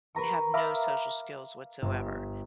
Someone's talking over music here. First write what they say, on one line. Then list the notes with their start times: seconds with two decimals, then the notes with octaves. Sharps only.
have no social skills whatsoever,
0.15 A#4 B4 A#5 C#6
0.54 E5 F5 A#5 B5 D6 D#6
1.82 G1